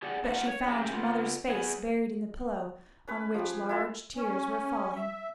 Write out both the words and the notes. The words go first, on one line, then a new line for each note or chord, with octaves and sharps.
But she found her mother's face buried in the pillow, on which large tears were falling.
G4 G#4 D5 F#5
A3 A#3 F4 F#5
C#5
C#4 G4 G#4 A#4 E5
B3 F4
B3 G#4
C#4 B4 C#5
F3 G4
E4 F4 A4
C#4
E5